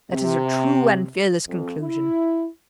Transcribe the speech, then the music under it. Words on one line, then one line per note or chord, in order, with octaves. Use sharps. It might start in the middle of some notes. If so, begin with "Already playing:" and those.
That is a true and fearless conclusion.
C3
F2
E4